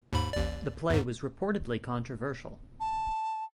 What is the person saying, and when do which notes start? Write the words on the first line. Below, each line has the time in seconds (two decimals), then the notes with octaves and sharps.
The play was reportedly controversial.
0.13 D#2 G#2 B5
0.33 A1 D#2 D5
0.90 E2 G#2
2.80 A5